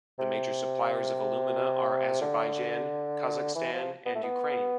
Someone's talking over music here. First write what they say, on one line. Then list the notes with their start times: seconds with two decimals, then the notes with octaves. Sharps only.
The major suppliers of alumina are Azerbaijan, Kazakhstan, and Ukraine.
0.19 C3
2.21 D3
3.55 E3
3.73 F3
4.06 B3
4.15 A3
4.23 B3